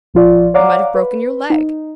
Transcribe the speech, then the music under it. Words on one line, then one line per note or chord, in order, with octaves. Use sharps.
You might have broken your leg.
A#1 F3 F4 D5
C#5 D5 F5 F#5 A#5 D6
B4
D#4